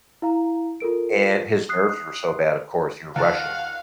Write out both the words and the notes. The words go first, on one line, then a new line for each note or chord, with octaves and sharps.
and, his nerves were so bad, of course, you're rushing,
E4 F5 A#5
F4 A4 A#4 D7
D#6 F#6 C7
D#2 F4 F5 F#5 A5